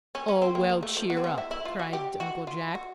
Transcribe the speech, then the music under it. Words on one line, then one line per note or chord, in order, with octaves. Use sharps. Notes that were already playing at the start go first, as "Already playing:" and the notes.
"Oh, well, cheer up!" cried Uncle Jack.
C#4
C#4
C4
A#3
A#3
A3
F3
B3
C4
B3
E4
E4
F4
F#4
G4
F#4
F4
F#4